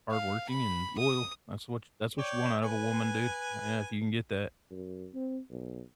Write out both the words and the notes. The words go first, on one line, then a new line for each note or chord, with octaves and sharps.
hardworking and loyal. That's what ch that's what you want out of a woman, dude. Yeah, if you can get that.
F5
B5
D#6
C#5 D5 G5
B4 G#5
F#2
C4
B1